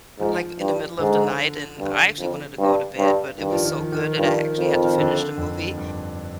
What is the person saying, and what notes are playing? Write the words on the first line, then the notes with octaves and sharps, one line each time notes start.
like, in the middle of the night and I actually wanted to go to bed but it was so good that I actually had to finish the movie
G#2 F3
G2
G#2 D3
G2
F2
G2
G2
G2 D#3
F3
D#3
F3
D#3
G2 F3
F2
F3
D#3
D3
F2
G2